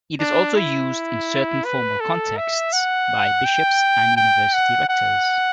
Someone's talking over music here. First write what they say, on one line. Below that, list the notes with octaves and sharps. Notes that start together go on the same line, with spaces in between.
It is also used in certain formal contexts by bishops and university rectors.
D4
E4
B4
A4
E5
F#5
G5
G5
F#5
F#5